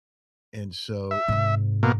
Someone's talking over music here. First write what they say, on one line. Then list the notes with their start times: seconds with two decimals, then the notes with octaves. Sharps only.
and so
1.11 E5
1.28 G#2 C3
1.83 B2 A#3